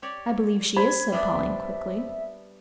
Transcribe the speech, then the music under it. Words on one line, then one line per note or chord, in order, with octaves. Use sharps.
"I believe she is," said Pauline quickly.
G4 C#5 D5
C5 B5 G#6
G3 B3 D4 E5